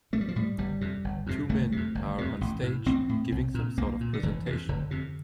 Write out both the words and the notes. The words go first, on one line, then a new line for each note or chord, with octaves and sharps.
Two men are on stage giving some sort of presentation.
A1 A3
G3
F3
A2 G3
G1 G3
F2 C3
G1
F2 C3
G1 A3
F2 C3
G1
F2 C3
A1
A2
A1 C4
A2
C2
A#2
C2 A#3
A#2
D3
F1 E3
F2 C3
F1 D3
F2 C3